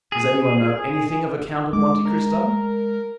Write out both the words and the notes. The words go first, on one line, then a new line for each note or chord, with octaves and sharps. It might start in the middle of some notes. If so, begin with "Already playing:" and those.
"Does any one know anything of a Count of Monte Cristo?"
G#4
G#3 D6
A#4